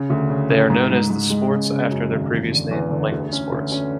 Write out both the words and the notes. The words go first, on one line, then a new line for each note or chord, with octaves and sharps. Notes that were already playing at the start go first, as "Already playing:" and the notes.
They are known as The Sports after their previous name as Langney Sports.
Already playing: C#3
D2
C#3
C#3
G#2
G#2
G#2
G#3
C#3
C#3
F#2
G#1
E1
D3
E2
D3
D2
C#4
D2
C#4